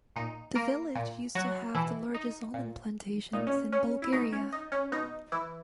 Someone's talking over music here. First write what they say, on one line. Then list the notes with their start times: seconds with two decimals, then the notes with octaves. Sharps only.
The village used to have the largest almond plantations in Bulgaria.
0.16 A#2 D#4
0.55 A#3 A#4
0.95 A#2
1.35 F#3 F#4
1.74 B2 E3 E4
2.14 D#4
2.54 A#2
3.33 A#2 D#4
3.47 C#4
3.72 C#4
4.02 E4
4.13 B2 D#4
4.33 C#4
4.53 D#4
4.72 C#4
4.92 B2 D#4
5.32 E3 E4